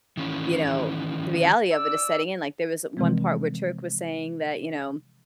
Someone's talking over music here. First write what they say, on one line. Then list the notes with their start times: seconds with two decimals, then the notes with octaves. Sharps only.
you know the reality of it is setting in like, there was one part where Turk was saying that, you know
0.17 D#3 E3 C#4
1.74 D5 E6
2.97 C3 E3 F3 G#3 A3 C4